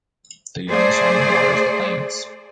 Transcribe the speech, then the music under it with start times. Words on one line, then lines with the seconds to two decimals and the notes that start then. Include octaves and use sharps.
The young son waters the plants.
0.70 A3 G#4 C5 D5